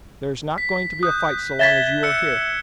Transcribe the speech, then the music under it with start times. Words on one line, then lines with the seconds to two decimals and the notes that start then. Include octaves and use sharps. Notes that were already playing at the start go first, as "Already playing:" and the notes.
"There's not going to be a fight so long as you are here."
0.58 B6
1.03 D#6 F#6 G6
1.59 E5 G#6 A6 B6 E7 G7
2.03 E6 F#6 C#7